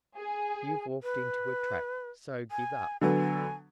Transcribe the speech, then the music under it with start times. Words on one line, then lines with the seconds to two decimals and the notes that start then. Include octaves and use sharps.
"You've walked into a trap, so give up."
0.17 G#4
1.03 B4
2.51 G#5
3.01 D3 F#3 B3 G#5